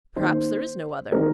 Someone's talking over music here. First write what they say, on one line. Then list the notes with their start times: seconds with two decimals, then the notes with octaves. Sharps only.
Perhaps there is no other.
0.16 D#3 A#3 C5
1.12 D#3 G#3 C4 A#4